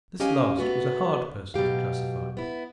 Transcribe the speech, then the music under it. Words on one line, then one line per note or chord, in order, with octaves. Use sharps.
This last was a hard person to classify.
C#4 G4 D#5 F5 G#5
A3 B3 F#4
B2 F#3 G4 F5
B3 E4